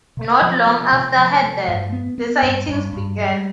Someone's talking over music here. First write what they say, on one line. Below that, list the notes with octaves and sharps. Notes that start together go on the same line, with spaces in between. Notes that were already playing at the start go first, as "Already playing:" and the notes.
Not long after her death, the sightings began.
C3
F3
A3
C3
F3
A3
G2
B3
B3
G2
G2
G2
G3